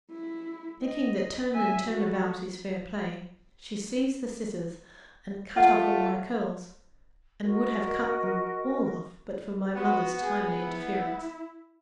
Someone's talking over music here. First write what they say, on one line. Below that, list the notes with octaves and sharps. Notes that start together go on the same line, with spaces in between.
Thinking that turn and turn about is fair play, she seized the scissors and cut off one of my curls, and would have cut them all off but for my mother's timely interference.
E4
D#5
E5 G#5
A3 F#4
A3 F4 F#5
F#4 A#4 D#5
B3 F#4
G#4
E4